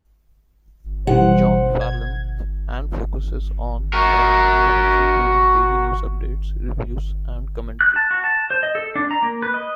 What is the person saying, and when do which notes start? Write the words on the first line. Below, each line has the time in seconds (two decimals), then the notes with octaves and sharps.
John Fallon, and focuses on horror movies including daily news updates, reviews, and commentary.
1.07 B2 E3 F#3 G3 C#4 C5 F#5
1.81 G#6
3.93 F#4 A#4
7.81 F#6
7.96 A5
8.11 F#4
8.24 A5
8.50 C5
8.63 D#5
8.75 A4
8.96 D4
9.11 A#5
9.22 A#3
9.42 B4
9.54 D#5